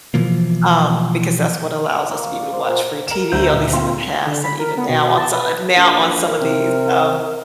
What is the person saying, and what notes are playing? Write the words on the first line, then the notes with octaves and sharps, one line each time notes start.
um, because that's what allows us to be able to watch free TV, at least in the past and even now on so uh, now on some of these, um
B2 E3 F3 A#3
A#3
C#6
D5
C5
A#2
A#4 E7
D2 C5 A#5
A#2
A#3 C4 F4
D3
B5
A#4
B3
B2
A5
B4
A#1
A#4
C3